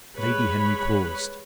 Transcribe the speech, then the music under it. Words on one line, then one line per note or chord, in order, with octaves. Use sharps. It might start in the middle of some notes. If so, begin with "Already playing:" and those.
Lady Henry paused.
G3 G#3 B4 C#5 B5